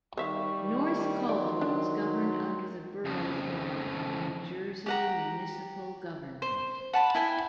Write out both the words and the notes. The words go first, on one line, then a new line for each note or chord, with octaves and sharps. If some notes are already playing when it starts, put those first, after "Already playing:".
North Caldwell is governed under the Borough form of New Jersey municipal government.
D#3 G3 C5 E5 F5 C#6
D#3
F#3 D5 C6
D4
F2 C#3
G4 F#5 A#5
C5
F#5 A5 B5
E4 G5 G#5